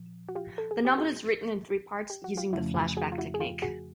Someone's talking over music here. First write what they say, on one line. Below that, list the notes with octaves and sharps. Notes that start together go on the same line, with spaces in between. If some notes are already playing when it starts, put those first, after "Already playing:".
The novel is written in three parts, using the flashback technique.
Already playing: A#2 F3
F#4
F4 G4
A4
G#4
G4
F#4 G#4
G4
F#4
F4 G4
F2 C#3 F3 A3 C#4 E4 F#4
F4 G4
F#4 G#4
F4
E4 F#4
G#4
F4 G4
F#4 G#4